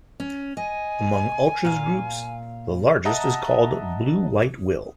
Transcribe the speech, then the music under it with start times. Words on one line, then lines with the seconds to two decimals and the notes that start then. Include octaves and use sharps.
Among ultras groups, the largest is called "Blue White Will".
0.20 C#4
0.57 D#5 G#5
1.65 A#2 F5
3.05 D#5 E5 F#5 A5 A#5 D#6